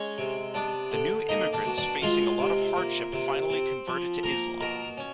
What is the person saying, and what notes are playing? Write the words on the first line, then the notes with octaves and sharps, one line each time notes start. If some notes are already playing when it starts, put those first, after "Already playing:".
The new immigrants facing a lot of hardship finally converted to Islam.
Already playing: G#3 C#4 C#5
C3
B3 D4 D5
D3
A#3 D#4 D#5
D4 D5
B2
D4 D5
G#3 F4 F5
C3
A#3
C3
C4
F3
A#3 A#4 A#5
B2 A#4 A#5
C#4